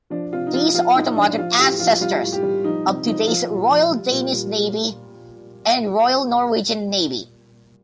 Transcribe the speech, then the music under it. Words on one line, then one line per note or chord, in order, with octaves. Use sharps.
These are the modern ancestors of today's Royal Danish Navy and Royal Norwegian Navy.
F3 D4
C3 F4
D#4
F3 F4
F3 F4
A2 D#4
F3 D4
F3 F4
A2 G4
F3 F4
G3 F4
A2
G4
G3
F3 D#4
C3
F3 D#4
F3 F4
A#2
F3
G3
A#2
G3